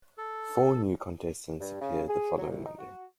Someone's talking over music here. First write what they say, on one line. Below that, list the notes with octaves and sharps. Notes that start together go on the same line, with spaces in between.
Four new contestants appeared the following Monday.
A4
G2
C#3
G#4
F#3
C2
D#4
F#4